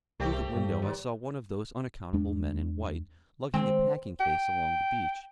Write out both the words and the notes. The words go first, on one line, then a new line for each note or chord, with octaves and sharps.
Through the window I saw one of those unaccountable men in white, lugging a packing-case along the beach.
C2 A3 C4 G4
G2 G3
D#2
E2 G#3 D4
D#3 G#3 C4
G5